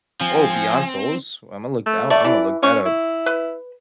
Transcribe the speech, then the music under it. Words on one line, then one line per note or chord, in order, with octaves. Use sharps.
Oh, beyond souls? Imma look that o Imma look that up.
F3 C4 G#5
A3
A3 D5
E3
C#4 C#6
E4
B4